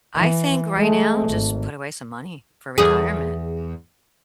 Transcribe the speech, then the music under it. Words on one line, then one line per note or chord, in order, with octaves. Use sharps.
I think right now just put away some money for retirement.
E3
G#3 A3
G#1
E2 G#4